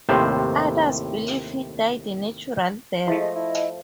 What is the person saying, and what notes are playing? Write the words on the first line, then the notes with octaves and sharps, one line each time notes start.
Others believe he died a natural death.
D#2 A2 C3 C5
F3 G#3 A3 E4 E5 A5
D#5
E4